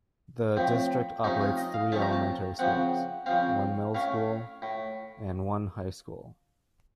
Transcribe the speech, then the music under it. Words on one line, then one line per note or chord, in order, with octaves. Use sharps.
The district operates three elementary schools, one middle school, and one high school.
A2 F3 C4
C3 F3 A3 C#4 D#4
F4
D#5
F5
C3 F3 A3 C#4 A5
A#5
A5
C#3 F3 C4 F#5
C#3 F3 C4 F5
A2 A3 C#4 F5
A2